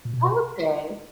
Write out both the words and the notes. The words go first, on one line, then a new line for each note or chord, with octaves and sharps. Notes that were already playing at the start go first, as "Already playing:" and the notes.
Oh, okay.
A#2
B2